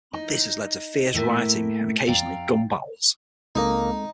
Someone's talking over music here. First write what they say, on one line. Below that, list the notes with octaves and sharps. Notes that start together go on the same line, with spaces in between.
This has led to fierce rioting and, occasionally, gun battles.
D#4
A2 A3 A#3 E5
F2 D5 F5 G5 A#5
C#2 G#3 A#3 C4 D#4 A4